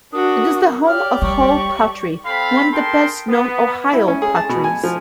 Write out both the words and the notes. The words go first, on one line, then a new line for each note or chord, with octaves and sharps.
It is the home of Hull pottery, one of the best known Ohio potteries.
D4 F#4 A#4 D#6
G4 C#5 D5 F6
G3 C#6
C4 A4 F5 G5 B5
G#4 A#4 G5 A5 C6
B3
E4
C#4
G#4
A5
B2
G#5
F3